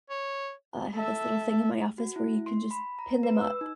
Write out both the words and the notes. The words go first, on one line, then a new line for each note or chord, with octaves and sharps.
I have this little thing in my office where you can just pin them up.
C#5
A4 E5
F#4
E4
C6
B5
A#5
B4
E6
D#4